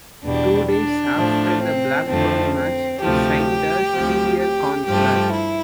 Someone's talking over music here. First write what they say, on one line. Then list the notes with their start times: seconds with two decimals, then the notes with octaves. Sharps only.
Two days after the Blackburn match, he signed a three-year contract.
0.24 E2 B2 G3 D4
0.70 D4
1.16 A2 F3 A3
1.63 C4
2.09 F2 D3 F3 A3 C4
2.55 C4
3.01 D2 C3 F3 A3 G4
3.94 D2 C3 F3
4.41 G4
4.87 G2 F3 A3 G4
5.33 E4